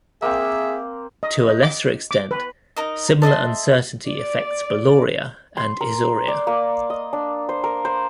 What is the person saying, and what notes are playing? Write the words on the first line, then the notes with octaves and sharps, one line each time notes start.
To a lesser extent, similar uncertainty affects "Boloria" and "Issoria".
A#3 C4 G#4 E5
D#5
D#5
D6
D6
B4
D#4 A#4 D#5
A4 D#5 E5 C6
D5
C6
A#4
D5
A#3
D#5
D4
C5
A#4
C5